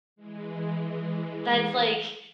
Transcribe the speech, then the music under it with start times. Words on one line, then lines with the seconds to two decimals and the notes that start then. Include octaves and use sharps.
"That's, like
0.16 E3 G#3